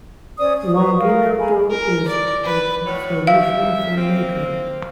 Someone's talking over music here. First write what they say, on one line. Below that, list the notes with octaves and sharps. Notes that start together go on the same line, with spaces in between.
Longinotto is an observational filmmaker.
C#4 C5 D5 D#6
D#6
B4 C5 A#5 C#6
A#4 F5
G#4 G#5 A#5 B5
A#4
D5
B4
A2 F#4 C#5
F#2 A#2 E5 F5
A#3 C4